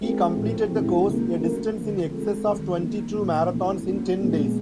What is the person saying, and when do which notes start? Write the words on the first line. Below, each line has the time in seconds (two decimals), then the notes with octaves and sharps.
He completed the course, a distance in excess of twenty-two marathons, in ten days.
0.01 G#3 C4 F4 A#4
0.36 A2 F3 A3
0.70 C3 E3 G#3 C#4
1.05 C#3 F#3 A#3
1.40 A3 C#4 F4 A#4
1.75 D3 F3 A3
2.10 G#3 C4 F4 A4
2.44 C3 D#3 G3
2.79 F3 A#3 D#4
3.14 A#2 F3 A#3
3.49 C3 E3 A3 C4
3.83 F#3 A#3 C#4 F#4
4.18 A#2 F3 G#3 B3 D4